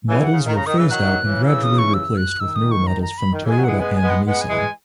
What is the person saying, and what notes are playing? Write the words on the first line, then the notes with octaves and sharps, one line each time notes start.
Models were phased out and gradually replaced with newer models from Toyota and Nissan.
C#3 E3 G#5
F#5
C#3
D#3
C#3 A#5
D#3 D#6
C#3 E3 E6
D#3 F#3 F#6
D#3 F#3
C#3 E3
E6
D#6
C#6
E6
F#6
D#3 E6
D#6
C#6
A#5
A#5
B5
D#3
C#3 E3
G#3 G#5
D#3 F#3
E3 G#3 F#5
G#3 B3 G#5
G#5
G#3 B3
F#5
G#3 B3 F#5
G#5
E3 G#3
G#5